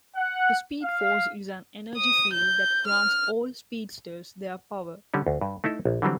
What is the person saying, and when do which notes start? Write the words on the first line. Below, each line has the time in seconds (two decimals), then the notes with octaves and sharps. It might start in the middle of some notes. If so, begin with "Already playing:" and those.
The Speed Force is an energy field that grants all speedsters their power.
0.15 F#5
0.82 F5
1.98 D#6
2.34 G6
2.87 F6
5.14 D3 G3 C#4
5.27 D2
5.41 G2
5.64 A3 D#4 E4 A4
5.85 A#1
6.02 D3 E3 F#3 G3 C4